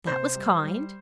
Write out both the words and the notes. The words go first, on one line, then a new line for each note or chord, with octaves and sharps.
"That was kind."
C3 C5
G3
G3